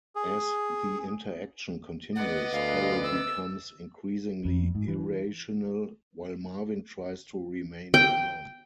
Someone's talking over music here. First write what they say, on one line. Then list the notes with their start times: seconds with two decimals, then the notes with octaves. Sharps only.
As the interaction continues, Carol becomes increasingly irrational, while Marvin tries to remain calm.
0.16 G#4
2.16 B3 B4 D5 D#5 F#5
2.52 D2 F5
3.03 E6
4.45 F2
4.75 G#2
4.88 E3
7.94 G5